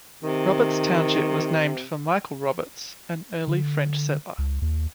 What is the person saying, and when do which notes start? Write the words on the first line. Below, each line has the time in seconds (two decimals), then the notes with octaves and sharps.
Roberts Township was named for Michel Roberts, an early French settler.
0.23 C3 D#3
3.47 D3
4.38 C#2
4.62 D#2